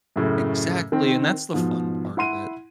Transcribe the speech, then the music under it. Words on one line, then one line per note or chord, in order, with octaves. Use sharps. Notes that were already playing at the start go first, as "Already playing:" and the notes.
Exactly, and that's the fun part of it.
F#2 A2 C#3
D#3 C4
G#2 B2 F3
E4 F#5 C6 D#7